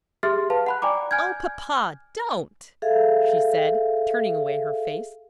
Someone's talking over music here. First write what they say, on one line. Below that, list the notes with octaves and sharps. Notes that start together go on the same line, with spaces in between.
"Oh, papa, don't!" she said, turning away her face.
G4 G#4 E5 C6 F6 A6
B4 F5 A5
F#5 B5 F#6
D5 G5 G#5 A#5 B5 D6
G#5 F6 G6 G#6
G#4 A4 E5 F5